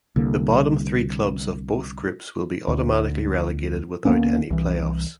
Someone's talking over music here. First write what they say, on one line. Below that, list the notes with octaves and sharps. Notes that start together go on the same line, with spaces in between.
The bottom three clubs of both groups will be automatically relegated without any playoffs.
C2 D3 A#3
D2
D2 A#3 B3 C#4
C2 E3